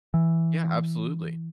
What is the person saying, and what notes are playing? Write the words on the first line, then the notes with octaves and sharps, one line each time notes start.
Yeah, absolutely.
E3